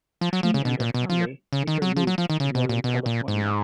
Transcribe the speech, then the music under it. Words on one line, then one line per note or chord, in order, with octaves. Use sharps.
She and her family later moved to Northern California.
F3
F#3
F3
C#3
B2
A#2
B2
F3
C#3
D#3
F#3
F3
F#3
F3
D#3
C#3
B2
A#2
B2
A#2
G#2